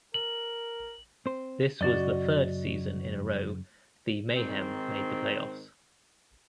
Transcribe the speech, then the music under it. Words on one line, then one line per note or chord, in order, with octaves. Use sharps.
This was the third season in a row the Mayhem made the playoffs.
A#4 F#7
C4 C5
F#2 C#3 F#4 D5 D#5
G#2 D#3 C4